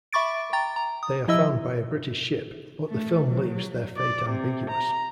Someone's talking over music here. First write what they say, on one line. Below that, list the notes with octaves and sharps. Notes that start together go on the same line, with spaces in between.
They are found by a British ship, but the film leaves their fate ambiguous.
E5 B5 C#6 D6 A6 D7
G5 A#5 A6
A#5
D#6
F3 E4 D#5 E5 E6
A3
F#3
D5
C3
A#5